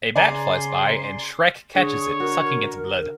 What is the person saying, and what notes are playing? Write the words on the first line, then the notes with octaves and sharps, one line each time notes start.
A bat flies by and Schreck catches it, sucking its blood.
C#3 D5 G#5 A#5 C6
D3 G#4 C#5
F#4 A#4